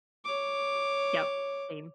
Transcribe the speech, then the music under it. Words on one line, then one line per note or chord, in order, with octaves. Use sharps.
Yep. Same.
C#5 D6